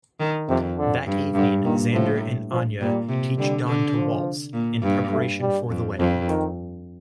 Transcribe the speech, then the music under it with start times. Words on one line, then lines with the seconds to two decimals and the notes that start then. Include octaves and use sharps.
That evening, Xander and Anya teach Dawn to waltz, in preparation for the wedding.
0.20 D#3
0.49 F2 C3
0.78 D3
1.07 G2
1.35 G2 D3
1.64 A#2 D#3
1.93 A2 F3
2.51 F3
2.80 A#2 G3
3.09 C3
3.38 D3 G3
3.67 D3
3.96 F3
4.53 A#2
4.82 G2
5.12 A3
5.41 G3
5.70 F2
5.99 F2 F3
6.28 D#3